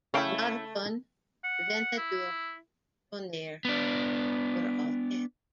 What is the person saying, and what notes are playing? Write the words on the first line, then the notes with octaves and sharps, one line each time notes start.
Narbonne, Ventadour, Tonnerre were all dead.
C#3 A3 C#4 E4 F5 G5
F#5
E4
B3 D4